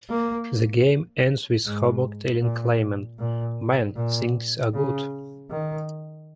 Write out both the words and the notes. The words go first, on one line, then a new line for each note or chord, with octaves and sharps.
The game ends with Hoborg telling Klaymen "Man, things are good".
A#3
G#2
A#2
A#2
A#2
C#3
D#3